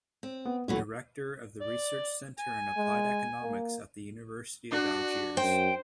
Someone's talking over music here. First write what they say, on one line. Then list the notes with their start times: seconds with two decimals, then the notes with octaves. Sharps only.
Director of the Research Center in Applied Economics of the University of Algiers.
0.23 C4
0.45 B3
0.68 D#1 E3 F#3 A3 C#4
1.61 D5
2.39 G#5
2.77 G#3
3.43 A#3
4.72 D4 F#4
5.37 F#2 C5 G5